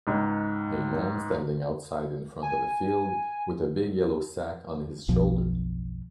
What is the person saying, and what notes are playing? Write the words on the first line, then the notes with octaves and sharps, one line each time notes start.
A man standing outside in front of a field with a big yellow sack on his shoulder.
C#2 G#2
G#5
F#1 B1 B2 F3